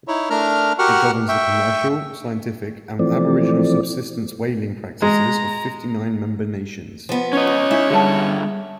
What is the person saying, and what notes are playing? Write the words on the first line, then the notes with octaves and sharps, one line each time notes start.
It governs the commercial, scientific, and aboriginal subsistence whaling practices of fifty-nine member nations.
D#4 E4 C#5
A3 D4 A#4 A#5 F6
F#4 G4 A#4 F#5 C#6 F6
E5 G5 C#6
E3 F3 A3 C4 D5
G#3 A#5
F3 B3
C#4 C#5 D#5
D#4 E4 G#4 E5
D3 G3 G#4 F#5 A5